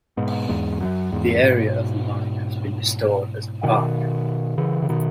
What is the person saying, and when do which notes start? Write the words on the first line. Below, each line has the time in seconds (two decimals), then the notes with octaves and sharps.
The area of the mine has been restored as a park.
0.17 G#2 B2
0.49 E2 G#2
0.81 F#2
1.12 E2 G#2
1.43 G#2 B2
3.63 B2 D#3
4.58 C#3 E3
4.82 C#3
4.89 B2 D#3